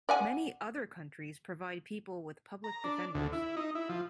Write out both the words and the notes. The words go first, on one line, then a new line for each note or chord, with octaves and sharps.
Many other countries provide people with public defenders.
D5 F#5 G#5
A#5
D4
D2
E4
D#4
E4
F3